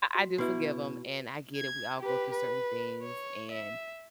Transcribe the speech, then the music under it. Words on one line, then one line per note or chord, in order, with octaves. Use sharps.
I do forgive him, and I get it. We all go through certain things, and,
F#4
B2 E4 F#4 B4 E5
G#6
G4 B4
B4
C#5
E5